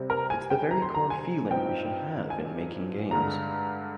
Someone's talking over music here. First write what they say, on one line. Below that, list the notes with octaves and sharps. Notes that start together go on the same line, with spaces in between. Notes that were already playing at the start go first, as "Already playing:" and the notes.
It's the very core feeling we should have in making games.
Already playing: C3 G3 C4
A#4
G#5
G5
A#5
C6
A#5
G#5
G2 F3 C4 D#4 G5
G#5
G2 D3 G#3 A#5